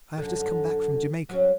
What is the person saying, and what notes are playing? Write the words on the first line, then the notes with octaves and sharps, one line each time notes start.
I have just come back from Jamaica.
F#2 D3
F#3 C#4